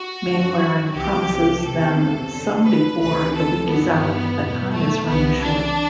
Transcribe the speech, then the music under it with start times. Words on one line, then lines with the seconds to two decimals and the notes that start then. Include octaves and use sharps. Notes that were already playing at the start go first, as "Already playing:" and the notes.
Mainwaring promises them some before the week is out, but time is running short.
Already playing: F#4
0.25 F#2 D3
0.94 C2 C3 E3 G4
1.62 E2 C3 E3 A4
2.32 F#2 D3
2.65 B4
3.00 D2 C3 E3 B4
3.35 A4
3.69 G2 E3 B3
4.38 E2 B2
4.73 A3
5.06 C2 C3 E3 B3
5.41 D4